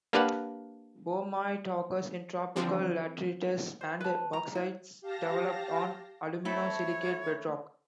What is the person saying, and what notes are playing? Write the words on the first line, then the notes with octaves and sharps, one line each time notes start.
Boehmite occurs in tropical laterites and bauxites developed on alumino-silicate bedrock.
A#3 D4 G4 B4 F5 F#5
D3 E3 F3 C4
C5
B4 A5
A#5
E4
G4 F5 A5 A#6
A3 C4 E4 C#5